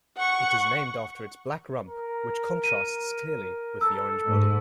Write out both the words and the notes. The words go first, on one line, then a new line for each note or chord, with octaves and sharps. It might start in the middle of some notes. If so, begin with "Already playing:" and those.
It is named after its black rump which contrast clearly with the orange body.
F#5 C#6
A#4
D#7
A4 E6
G#2